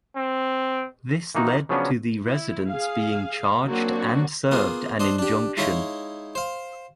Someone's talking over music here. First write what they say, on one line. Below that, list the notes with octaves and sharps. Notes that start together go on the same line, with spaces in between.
This led to the residents being charged and served an injunction.
C4
E3 A#3 D#4 F#4
C#3 F3 F#3 B3 C#4 D4
E4
G#4 F5
F#3 A#3 C4 D4 F#4
A#3 B3 F4 G#4
D4 C5 D#5
D4 G4
G#3 D#4 E4 C#5 F5
C5 F5